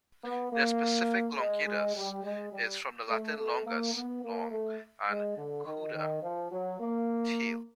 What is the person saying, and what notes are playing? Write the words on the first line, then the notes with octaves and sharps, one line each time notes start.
The specific "longicaudus" is from Latin "longus", "long", and "cauda", "tail".
B3
A#3
G#3
G#3
G3
G#3
G3
A3
A3
A#3
B3
A#3
A3
G#3
D3
D#3
D#3
F3
F#3
A#3